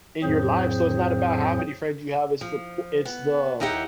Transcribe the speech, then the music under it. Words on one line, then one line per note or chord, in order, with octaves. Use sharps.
in your life. So it's not about how many friends you have, it's the po it's the
F2 A2 F#3 C4 G#4 C5
F3
B3
D#2 D#4 E4 G4 D#5 F#5